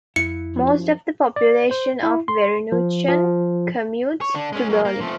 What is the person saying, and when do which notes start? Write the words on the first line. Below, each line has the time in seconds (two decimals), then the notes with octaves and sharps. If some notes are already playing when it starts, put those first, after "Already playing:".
Most of the population of Werneuchen commutes to Berlin.
0.16 F2 E4 C#7
0.54 F#2 F3
1.36 D5
1.71 C5
2.03 E4
2.28 C6
2.72 F3
3.08 F3
4.21 C#5
4.35 D3 D4
4.53 G#3 C#4
4.70 F#3 A#3
4.85 A#3
5.01 F3 A3